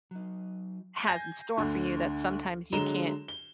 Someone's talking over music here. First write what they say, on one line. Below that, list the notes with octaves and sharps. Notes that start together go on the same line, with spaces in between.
has in store for you that sometimes you can't
F#3 D#4
G#5 G6 A#6 C7
D2 D3
D3 F#3 G#3 A#5 E7 G7
G7